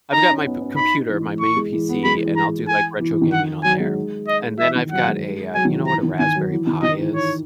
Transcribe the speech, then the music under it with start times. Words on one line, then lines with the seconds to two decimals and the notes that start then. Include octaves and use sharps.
I've got my computer my main PC, and I'll do, like, retro gaming on there, and then I've got a, uh, you know what a Raspberry Pi is?
0.13 D#4 A#5
0.29 C#4
0.45 B3
0.61 C#4
0.76 D#4 B5
1.09 E3
1.25 E3
1.40 E3 C#6
1.56 G#3
1.73 E3
1.89 B3
2.04 G#3 B5
2.15 E3
2.26 E3
2.36 A#5
2.68 G#5
3.00 E3
3.11 E3
3.21 D#3
3.32 F#5
3.63 F#3 G#5
3.80 G#3
4.28 D#5
4.60 E3 E5
4.75 D#3
4.92 F#3 F#5
5.07 G#3
5.55 F#3 G#5
5.65 D#3
5.71 E3
5.87 E3 A#5
6.03 D#3
6.19 D#3 G#5
6.35 F#3
6.51 E3
6.67 D#3
6.83 D#3 D#5
6.99 E3
7.15 C#5